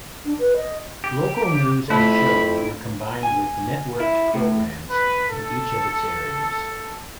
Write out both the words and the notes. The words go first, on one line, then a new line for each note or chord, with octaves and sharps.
Local news and shows were combined with networked programmes in each of its areas.
D4
B4
D#5
G4
F2 A3 E4 A5 B5
G#5
E4
A2
B4
A4